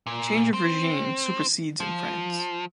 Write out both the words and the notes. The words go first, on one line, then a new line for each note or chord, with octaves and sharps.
The change of regime supersedes in France.
A#2
C4
F3